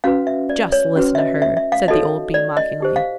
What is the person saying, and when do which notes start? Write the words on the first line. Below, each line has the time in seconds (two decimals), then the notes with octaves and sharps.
"Just listen to her!" said the old Bee mockingly.
0.04 C#4 F#4 B4 F5
0.27 E5
0.50 D5
0.72 C#5
0.96 C#4 F#4 B4
1.15 E5
1.19 D#5
1.42 E5
1.57 E5
1.72 F5
1.88 D#4 F#4 A4 C#5 D#5
2.34 D5
2.57 D#5
2.81 D#4 G4 C5
2.96 F5